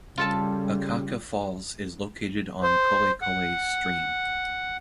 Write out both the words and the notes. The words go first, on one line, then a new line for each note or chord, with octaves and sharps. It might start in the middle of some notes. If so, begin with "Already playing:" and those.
Akaka Falls is located on Kolekole Stream.
C#3 G3 F4 A4 A5
C5
F#5